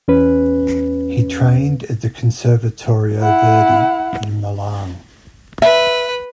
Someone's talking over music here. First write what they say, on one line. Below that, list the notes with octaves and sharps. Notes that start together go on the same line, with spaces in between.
He trained at the Conservatorio Verdi in Milan.
E2 C#4 B4
E4 F#5
B4 E5